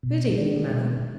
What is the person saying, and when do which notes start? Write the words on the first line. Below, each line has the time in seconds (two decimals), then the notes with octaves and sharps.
'Good evening, Mother.'
0.03 B2
0.38 G#3 D4
0.71 B2